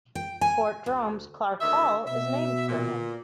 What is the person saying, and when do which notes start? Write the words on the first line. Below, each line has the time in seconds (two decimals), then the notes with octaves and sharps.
Fort Drum's Clark Hall is named for him.
0.15 G5
0.41 G#5
0.86 D2
1.61 D2 D#3 E5
2.07 B2 E5
2.69 A#2